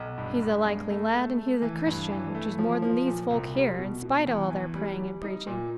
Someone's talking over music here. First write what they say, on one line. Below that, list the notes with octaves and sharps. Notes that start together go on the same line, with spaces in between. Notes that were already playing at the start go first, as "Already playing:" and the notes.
He's a likely lad, and he's a Christian, which is more than these folk here, in spite o' all their praying and preaching.
Already playing: B1
G2
G2
G#3
A3
A3
A3
E3
G2
E3
A3
F3
F3
A#2
C2
G3
B2
B2
E2
E3
G3
G3
D#4
A#2